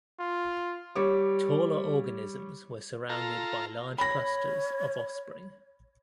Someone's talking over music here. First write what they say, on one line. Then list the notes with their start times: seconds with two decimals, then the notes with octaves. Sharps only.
Taller organisms were surrounded by large clusters of offspring.
0.19 F4
0.96 G3 C#5 D6
3.09 F4 A4 A#5
3.98 C#5 B5 A#6